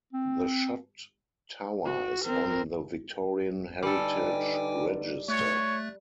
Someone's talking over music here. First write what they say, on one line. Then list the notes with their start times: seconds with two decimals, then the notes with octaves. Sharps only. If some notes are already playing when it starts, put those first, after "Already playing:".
The shot tower is on the Victorian Heritage Register.
0.13 C4
1.86 F#4
2.24 C4 A#4
3.83 D3 G3 D#4 A4 B4 G5 G#5 D6
5.29 A3 C#5 F#6 A6